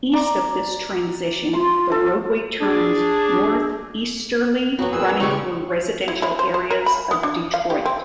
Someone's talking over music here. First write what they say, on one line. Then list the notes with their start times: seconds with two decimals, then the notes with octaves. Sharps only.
East of this transition, the roadway turns northeasterly running through residential areas of Detroit.
0.13 D5 A#5
1.53 F4 C6
1.92 A4
2.61 D4 G#4
4.79 F2 F#3 B3 F#4
4.93 A#2 G#4 B4 E6
5.20 A2 C#3 G3 G#3 C#6
6.08 E4
6.22 E4
6.39 C5
6.54 C5
6.70 A#4
6.86 B5
7.11 B3
7.23 D4
7.54 F5
7.70 G4
7.85 C4